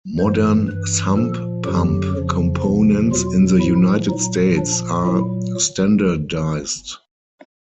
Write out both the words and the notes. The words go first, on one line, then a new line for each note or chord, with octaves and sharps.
Modern sump pump components in the United States are standardized.
G2 E3 C5
G2 E3 B4
A#2 F3 A4
F#2 D3 F#3 G4
F2 C#3 F3
E2 C3 F3
E2 B2 F#3 F4
A2 F3 E4
A#2 F#3 D#4
A#2 F3 D4
A#2 F#3 E4